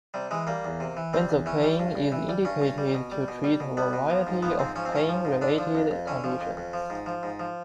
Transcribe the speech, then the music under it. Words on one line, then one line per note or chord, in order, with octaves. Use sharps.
Benzocaine is indicated to treat a variety of pain-related conditions.
C3 G3
E3 G#3
G3 A#3
E2
C3
E3
G3 C4
E2
E3 C#4
G3
G2
G2
E3
G3
G2 C#4
G2
G3
B2
G3
B2
G3
B2
G3 B3
B2
F3
G#2
F3 B3
G#2 C4
F3 C#4
C4
G#2 C#4
F3
G#2
D3 D4
F3
F2
F2
D3 C#4
F3
F2
F2
F3
G#2
F3
G#2
F3